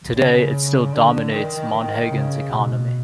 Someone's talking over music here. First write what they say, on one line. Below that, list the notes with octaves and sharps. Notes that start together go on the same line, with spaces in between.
Today, it still dominates Monhegan's economy.
C#3
D3
D#3
C#3
B2